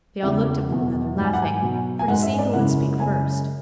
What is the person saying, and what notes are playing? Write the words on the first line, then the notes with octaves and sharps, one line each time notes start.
They all looked at one another, laughing, for to see who would speak first.
E2 C#3 G#3 E5
E2 B2 F#3
G#2 F#3
G#5
F#5
G#5
B2 F#3
G#5
G#2 G#3 F#5
E5
D5
F#2 C#3 E3 G#3 F#5
F#2 C#3 G#3 G#5